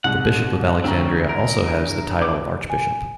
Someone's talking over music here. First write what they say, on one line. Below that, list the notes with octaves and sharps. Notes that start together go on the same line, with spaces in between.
The Bishop of Alexandria also has the title of archbishop.
C2 G#2 F#5
D2 C4 C#4 A#5
A#4
E3 D6
G#5